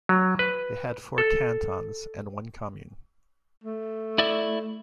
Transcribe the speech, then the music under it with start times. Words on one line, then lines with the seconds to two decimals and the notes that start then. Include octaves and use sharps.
It had four cantons and one commune.
0.09 F#3
0.39 B4
1.18 A4
3.64 A3
4.18 E4 D5 E5